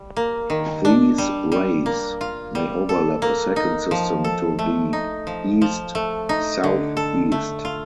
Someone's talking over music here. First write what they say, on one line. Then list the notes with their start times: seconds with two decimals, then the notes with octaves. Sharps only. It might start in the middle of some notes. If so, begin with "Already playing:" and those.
These rays may overlap a second system to the east-southeast.
Already playing: G3
0.16 A#3
0.50 D#3
0.85 D4
1.18 G3
1.52 G3
1.86 A#3
2.21 F4
2.55 G3
2.89 A4
3.22 A#3
3.56 D#4
3.91 F3
4.24 A4
4.59 A3
4.93 D#4
5.27 F3
5.62 F3
5.95 A3
6.29 D#4
6.64 D3
6.97 A4
7.32 A3
7.65 F4